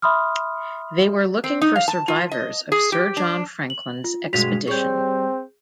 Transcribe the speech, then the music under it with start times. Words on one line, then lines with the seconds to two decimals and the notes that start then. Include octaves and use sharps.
They were looking for survivors of Sir John Franklin's expedition.
0.02 E5 B5 C6 D#6 F6
1.44 C4
1.61 D#4
1.76 F5
1.88 A5
2.08 F4
2.31 D#5
2.72 G#4
2.92 G4
3.17 D4
3.70 F#7
4.04 F4
4.33 G2 B2 G#3 F#4 B6 F7
4.67 G3 C4 G#4 C#5 G6